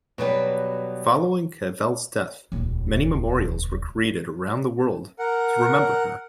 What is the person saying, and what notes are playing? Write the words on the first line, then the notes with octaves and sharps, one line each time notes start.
Following Cavell's death, many memorials were created around the world to remember her.
B2 F#3 G3 B4
D#1 C#2
A#4 F#5